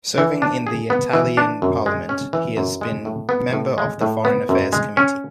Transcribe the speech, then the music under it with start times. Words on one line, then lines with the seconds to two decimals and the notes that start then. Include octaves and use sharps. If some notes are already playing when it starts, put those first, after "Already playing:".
Serving in the Italian Parliament, he has been member of the Foreign Affairs Committee.
0.18 E3
0.42 D4
0.67 G#4
0.90 B3
1.13 E3
1.37 D4
1.62 F#2
1.86 G#3
2.09 C#4
2.33 E3
2.57 F#2
2.81 G#3
3.05 A2
3.29 B3
3.53 A2
3.78 G#3
4.01 A2
4.25 B3
4.49 F#2
4.73 G#3
4.97 C#4